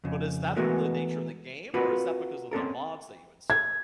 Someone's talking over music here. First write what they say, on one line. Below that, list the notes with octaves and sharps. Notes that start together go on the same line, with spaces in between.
But is that the nature of the game, or is that because of the mods that you installed?
F2 C#3
E3 G#3 A3 B3 F#4 A#4
C4 F4 F#4 A#4 B4
C4 C#4 A4 A#4
G#6